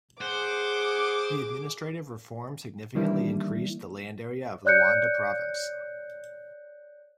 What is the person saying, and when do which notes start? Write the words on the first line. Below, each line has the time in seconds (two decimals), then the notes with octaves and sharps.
The administrative reform significantly increased the land area of Luanda Province.
0.21 G#4 C5 F#5 D6
2.95 D#3 E3 G3 A#3 D4 E4
4.65 C#5 D5 F#6 G6 C#7